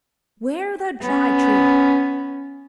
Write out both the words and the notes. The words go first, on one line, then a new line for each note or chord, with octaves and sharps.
Ware the Dry Tree!
B3 C#4